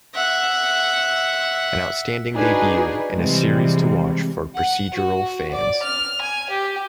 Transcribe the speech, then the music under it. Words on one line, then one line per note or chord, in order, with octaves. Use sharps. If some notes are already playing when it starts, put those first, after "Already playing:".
An outstanding debut and a series to watch for procedural fans.
E5 F#5
D4 D#4 F#4 G#4 B4
C3 E3 F3 G3 G#3
F#5
F#4
D5
F6
G#5
G4